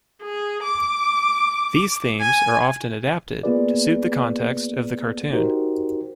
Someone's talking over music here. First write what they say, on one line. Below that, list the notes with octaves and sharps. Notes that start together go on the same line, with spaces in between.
These themes are often adapted to suit the context of the cartoon.
G#4
D6
G#5
A#3 B3 F4 G#4 B4 D5
D#4 F#4 G4 A#4 C5